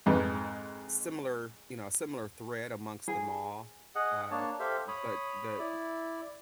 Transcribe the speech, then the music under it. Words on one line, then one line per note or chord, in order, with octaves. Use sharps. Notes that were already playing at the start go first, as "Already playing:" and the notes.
similar you know, similar thread amongst them all, uh, but the
F2 G#2 B4
G#4
G#4 D#5 F#5
A#3 D4 C#5 A5
G4 A4 C5 E5 F5
C#5 B5 D#6
E4 D5